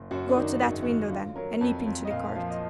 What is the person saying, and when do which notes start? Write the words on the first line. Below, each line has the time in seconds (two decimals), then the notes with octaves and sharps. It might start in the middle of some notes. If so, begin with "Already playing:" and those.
Go to that window, then, and leap into the court.'
Already playing: F#1
0.11 F#2 F#4
0.29 D4
0.36 D#3 D#4
0.61 G#1 F#4
0.72 G#4
0.82 G#1 F#4
1.10 D3 F4
1.36 F#3 A#4
1.61 F2
1.86 F2
2.05 D#5
2.11 A#2 F5
2.35 F3 F5
2.50 D#5